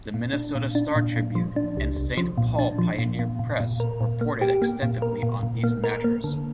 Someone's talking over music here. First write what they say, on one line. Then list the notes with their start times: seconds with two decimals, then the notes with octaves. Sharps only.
The "Minnesota Star Tribune" and "Saint Paul Pioneer Press" reported extensively on these matters.
0.14 A#2
0.33 D4
0.55 A#2
0.75 D4
0.96 A#2
1.16 A#2
1.35 F3
1.56 D4
1.77 C2
1.96 C2
2.18 F3
2.38 A#2
2.59 D4
2.78 F3
2.99 A#2
3.19 A#2
3.39 A#2
3.60 A#2
3.80 A#4
4.01 A#2
4.21 A#3
4.41 G4
4.62 A#3
4.83 A#2
5.02 A#4
5.23 A#2
5.43 A#2
5.64 A#3
5.84 A#4
6.04 A#3
6.24 D3